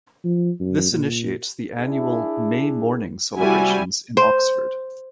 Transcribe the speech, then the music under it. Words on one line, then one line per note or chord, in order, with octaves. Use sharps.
This initiates the annual May Morning celebrations in Oxford.
F3
F#2
A#2
D4 E4 G#4
C3 G3 E4 F#4 G#5
C5